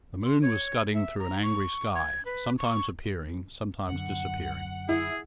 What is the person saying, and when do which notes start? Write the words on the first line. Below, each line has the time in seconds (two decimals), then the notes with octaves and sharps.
The moon was scudding through an angry sky, sometimes appearing, sometimes disappearing.
0.25 C6
0.42 C#5
0.94 E5
1.19 A#5
1.43 C#6
1.95 G#6
2.25 B4
2.58 C#6
3.89 F#2 D3 F#5
4.89 E4 G#4